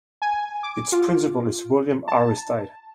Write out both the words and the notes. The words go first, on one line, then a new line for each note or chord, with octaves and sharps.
Its principal is William Aristide.
G#5
D6
F4
A5